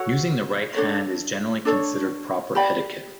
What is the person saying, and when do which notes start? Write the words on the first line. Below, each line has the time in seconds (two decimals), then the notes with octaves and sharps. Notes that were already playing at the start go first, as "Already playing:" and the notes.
Using the right hand is generally considered proper etiquette.
Already playing: F#4 A4 C#5 F#5
0.74 D4 A4 C#5
1.65 D4 A4 C#5
2.55 G4 D5 G5 B5